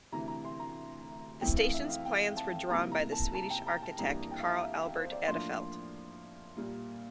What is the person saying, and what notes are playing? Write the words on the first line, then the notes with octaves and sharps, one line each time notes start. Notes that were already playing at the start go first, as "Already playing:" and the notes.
The station's plans were drawn by the Swedish architect Carl Albert Edelfelt.
D2 C3 E3 A#5
A#5
C6
A#5
F2 E3 A3 C4 E4 G5
F5
E5
F5
G5
A5
C3 G3 A#3 E4 A#5
A#5
A5
A5
G5
A#5
A5
F2 E3 G3 A#3 D4 A#5
G5
F5
E5
F5
E5
E5
C5
D5
A2 F3 A#3 D4 C6
A#2 G3 A#3